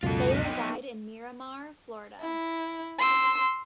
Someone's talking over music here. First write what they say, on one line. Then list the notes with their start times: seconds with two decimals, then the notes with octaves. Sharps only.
They reside in Miramar, Florida.
0.03 C#2 F#2 B2 F4 A4
0.31 B3 D#4
0.45 G5
2.21 E4
2.98 C6 E6